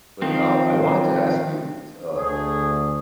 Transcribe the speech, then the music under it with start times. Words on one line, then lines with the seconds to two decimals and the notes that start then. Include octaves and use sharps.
But, um, I wanted to ask you, s uh,
0.22 D#3 F3 C4
2.14 D2 A3 G#4